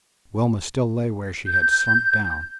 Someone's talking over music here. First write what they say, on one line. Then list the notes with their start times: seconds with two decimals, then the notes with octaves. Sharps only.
Wilma still lay where she had slumped down.
1.47 G6